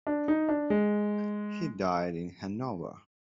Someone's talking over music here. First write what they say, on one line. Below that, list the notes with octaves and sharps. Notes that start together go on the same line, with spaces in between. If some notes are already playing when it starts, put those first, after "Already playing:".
He died in Hannover.
D4
D#4
D4
G#3